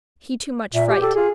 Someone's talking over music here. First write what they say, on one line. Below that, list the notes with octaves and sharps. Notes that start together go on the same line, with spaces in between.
He too much fright.
A#2 E5
G4
G4 A4
F4 G#4